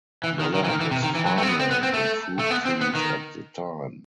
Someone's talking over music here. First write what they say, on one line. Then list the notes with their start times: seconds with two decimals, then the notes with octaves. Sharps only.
The land was farm land and fruit trees at the time.
0.24 E3
0.39 D#3
0.54 D#3
0.64 E3
0.69 D#3
0.81 E3
0.91 C3
1.03 D#3
1.15 E3
1.26 F#3
1.38 A3
1.43 C4
1.49 B3
1.59 C4
1.71 B3
1.83 C4
1.93 A3
2.39 A3
2.50 B3
2.65 C4
2.81 B3
2.95 D#3